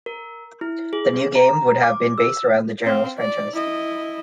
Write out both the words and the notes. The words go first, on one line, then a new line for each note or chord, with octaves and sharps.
The new game would have been based around the "Generals" franchise.
A#4
E4
G#4
A#5
D6
E6
C4 F5
D5
E4 D#5